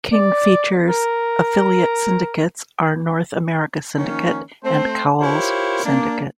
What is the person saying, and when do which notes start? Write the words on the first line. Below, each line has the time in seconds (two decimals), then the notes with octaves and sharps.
King Features' affiliate syndicates are "North America Syndicate" and "Cowles Syndicate".
0.13 D5
0.89 A#4
3.97 D#3 F3 A#3 C#4
4.64 A3 C4 C5
5.21 E4 F4 G4 A#4 C5 C#5
5.85 A#3 D4